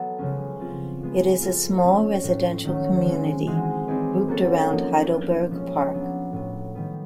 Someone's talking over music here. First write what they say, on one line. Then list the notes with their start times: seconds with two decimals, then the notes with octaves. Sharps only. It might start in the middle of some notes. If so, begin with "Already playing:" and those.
It is a small residential community, grouped around Heidelberg Park.
Already playing: F#3 B3 F#4 A4
0.18 C#3 F3 G#3 C#4
0.60 G3 C4 F4
1.00 F3 G#3 B3
1.42 C4 F4 A4
1.83 F3 A3 C#4
2.23 A2 F3 A3
2.64 D#3 F#3 A3 C#4
3.05 E3 G#3 C4
3.47 E3 G#3 C4 D#4 F#4
3.87 C4 D#4 G#4 B4 D5
4.27 F#3 A#3 C#4 F#4 A4
4.70 F3 A#3 D#4
5.11 B3 D4 F4
5.51 F3 G#3 C#4
5.93 F#3 B3 D4
6.32 A2 F#3 B3
6.75 D#3 G3 B3